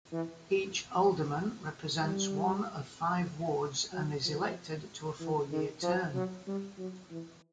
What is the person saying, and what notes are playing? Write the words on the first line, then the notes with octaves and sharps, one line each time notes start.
Each alderman represents one of five wards and is elected to a four-year term.
E3
G3
F#3
F3
E3
D#3
F3
F#3
G3
F#3
E3